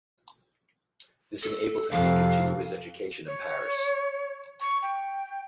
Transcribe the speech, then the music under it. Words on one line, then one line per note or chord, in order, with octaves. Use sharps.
This enabled him to continue his education in Paris.
A4
F2 C3 F5
C#5
C#6
G5